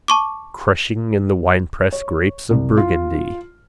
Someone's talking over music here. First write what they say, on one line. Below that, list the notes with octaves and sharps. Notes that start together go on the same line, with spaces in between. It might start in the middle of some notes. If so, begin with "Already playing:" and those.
Crushing in the winepress grapes of Burgundy.
A5 C#6 D6
C#5
C2
F4